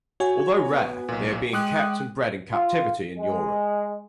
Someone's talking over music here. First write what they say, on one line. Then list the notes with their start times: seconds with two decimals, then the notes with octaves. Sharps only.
Although rare, they are being kept and bred in captivity in Europe.
0.20 F#4 C#5 G#5
0.66 B3
1.09 B1 A#2
1.53 G#3 G5 D6 D#6 F#6
2.52 F4
3.18 G#3